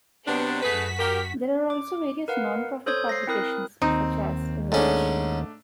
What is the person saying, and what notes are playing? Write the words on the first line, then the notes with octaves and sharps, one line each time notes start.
There are also various non-profit publications, such as Which?
C3 F#3 B3 D4
F#2 A3 F#4 G#4 B4 B6
G4 A#4
D6
A#4 B4 F5 F#5
A4 C5 C#5 D#6 G6 G#6
A#6 C7
C4 E4 A#4 D#6 F#6
D#2 C4 D#4
G#2 A3 C#4 D4